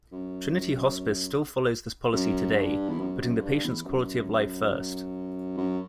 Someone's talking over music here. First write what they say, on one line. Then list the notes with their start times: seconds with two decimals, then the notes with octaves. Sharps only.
Trinity Hospice still follows this policy today, putting the patient's quality of life first.
0.12 F#2
2.13 F#2
2.56 G2
2.89 E2
2.99 F#2
3.21 F#2
3.42 G2
3.64 E2
3.85 F#2
5.57 F#2